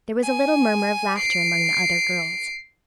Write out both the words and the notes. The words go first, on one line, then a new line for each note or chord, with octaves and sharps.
There was a little murmur of laughter among the other girls.
G#5
C7 D7